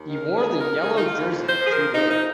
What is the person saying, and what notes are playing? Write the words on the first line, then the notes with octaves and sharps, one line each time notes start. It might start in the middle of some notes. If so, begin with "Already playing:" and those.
He wore the yellow jersey for two days.
Already playing: D#2
D#3
A#4
D#3
D#2 G#4
D#2 A#4
D#3
G#4
D#3 D#4
D#2 F4
F2
F3 C5
F3
G#4
A#4
F2
F2 D#4
F3 D#4